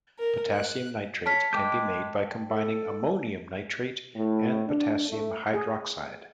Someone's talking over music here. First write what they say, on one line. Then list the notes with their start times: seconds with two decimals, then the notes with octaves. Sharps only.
Potassium nitrate can be made by combining ammonium nitrate and potassium hydroxide.
0.19 A#4
0.52 F#6
1.26 C#5 A5 F6 B6
1.53 G#3 G5 D6 G6
2.50 A4
4.15 A2
4.68 D4
5.09 A3
5.54 G#4